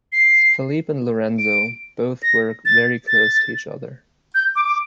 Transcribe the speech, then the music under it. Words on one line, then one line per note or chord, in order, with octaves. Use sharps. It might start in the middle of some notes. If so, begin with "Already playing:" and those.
Felipe and Lorenzo, both were very close to each other.
C7
D7
A#6
A6
A6
G6
D6
D6